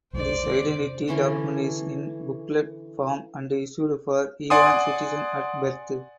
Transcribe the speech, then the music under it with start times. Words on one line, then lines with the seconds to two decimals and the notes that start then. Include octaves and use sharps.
This identity document is in booklet form and issued for Iran citizens at birth.
0.13 B1 F2 G#3 C5 D5
0.43 C3 D#3
1.08 D3 E3 C#4 D4
4.50 D5 F#5 G#5 C6 D#6